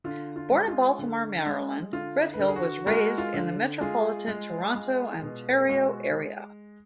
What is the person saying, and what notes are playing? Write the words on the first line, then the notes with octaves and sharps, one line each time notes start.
Born in Baltimore, Maryland, Redhill was raised in the metropolitan Toronto, Ontario area.
D3 F4
F4
G#3
F4
D3
G#3
D3 F4
B4
D3 A#4
G#4
F#4
G#3 F#4 A#4
F4
D3
G#3 F4 G#4
G#3
G#3
B2
A#4
G#4
G#3 F#4